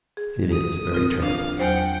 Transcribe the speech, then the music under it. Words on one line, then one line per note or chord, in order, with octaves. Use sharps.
It is very terrible....
G#4
D#6
C4 F4 A#4
D4 F5
E2 F#3 C5 F#5 G5